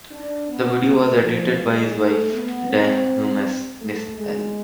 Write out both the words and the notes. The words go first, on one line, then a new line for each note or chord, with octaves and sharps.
The video was edited by his wife, Dyan Humes-Nispel.
D4
B3
A3
F3
G#3
A3
B3
C4
A3
G#3